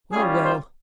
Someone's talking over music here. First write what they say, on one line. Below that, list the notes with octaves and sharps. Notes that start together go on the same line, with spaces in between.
'Well! well!
G3 C#4 F4 G#4
C5